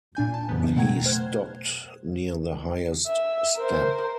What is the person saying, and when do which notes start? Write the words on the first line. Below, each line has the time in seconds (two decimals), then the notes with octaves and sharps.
He stopped near the highest step.
0.15 A#2 D4 G#5 G6
0.34 A5
0.49 F2 C#3 E3 F#3 B3
0.76 B2 A3 F#5 G5 A#5 G#6
1.06 C5 F6 F#6 G#6
3.07 E5
3.57 A#4 C5